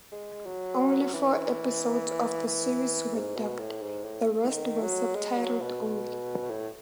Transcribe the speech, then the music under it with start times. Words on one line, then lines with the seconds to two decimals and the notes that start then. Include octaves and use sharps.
Only four episodes of the series were dubbed; the rest were subtitled only.
0.12 G#3
0.46 F#3
1.14 E3
2.47 E3
3.15 G#2
3.37 B2
3.60 A2
3.82 G#2
4.04 A2
4.44 E3
4.49 D#3
4.82 F#3
5.15 G#3
5.38 F#3
5.61 B2
6.50 A2